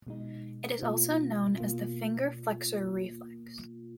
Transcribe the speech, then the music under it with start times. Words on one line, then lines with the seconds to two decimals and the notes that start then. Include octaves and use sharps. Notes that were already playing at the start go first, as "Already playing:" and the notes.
It is also known as the finger flexor reflex.
0.07 B2 G#3 D#4
0.83 B2 A#3 F4
1.58 B2 A#3 F4